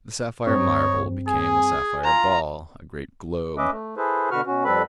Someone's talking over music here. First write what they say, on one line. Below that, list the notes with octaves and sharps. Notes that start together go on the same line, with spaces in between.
The sapphire marble became a sapphire ball, a great globe.
G2 G3 C4 D#4 C#5
G#4 G#5
F4 A#5
C#4 B4 D#5 E5 D6
A3
E4 G#4 A4 B4 C5
B2 D3 F#4 B4 C#6 F6
B2 C#4 F#4
F2 G3 C4 A4 B4 B5